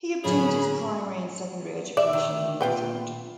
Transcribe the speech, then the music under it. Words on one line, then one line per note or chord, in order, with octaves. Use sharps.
He obtained his primary and secondary education in his hometown.
A2 D3 F#3 B3 C#4 G#4 B5
D5 E5
D#3
A#2 F4 B4 G5